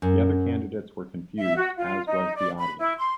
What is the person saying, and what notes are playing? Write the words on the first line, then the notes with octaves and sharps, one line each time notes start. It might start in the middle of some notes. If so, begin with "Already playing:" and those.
The other candidates were confused, as was the audience.
F#2
E5
F#4
F4
D#4
D5
B5
E4
C6